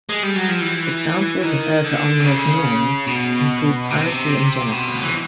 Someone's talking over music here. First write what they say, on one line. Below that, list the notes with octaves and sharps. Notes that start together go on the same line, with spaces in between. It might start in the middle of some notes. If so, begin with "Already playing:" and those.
Examples of erga omnes norms include piracy and genocide.
G#3
G3
F#3
F3
E3
D#3
D3
C3
C#3
B2
C3
B2
E3